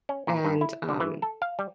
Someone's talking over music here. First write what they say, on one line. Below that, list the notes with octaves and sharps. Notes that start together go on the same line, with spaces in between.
and, um,
C#4
A#2
G2
E4
D3
E3
A4
F5
G3